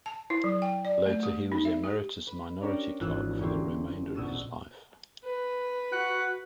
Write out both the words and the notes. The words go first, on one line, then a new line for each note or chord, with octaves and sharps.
Later, he was Emeritus Minority Clerk, for the remainder of his life.
A5
E4
F#3
G5
D5
A3
G4
D#4
E5
G4
B4
C#4 D4 G4 A#4 C#5 D5
G#1 E3 F4 E6 F#6
E1 D3 C#4 E4 G4 C6
A#1 B2 D#6 E6 A6 E7
B4
F#4 F#5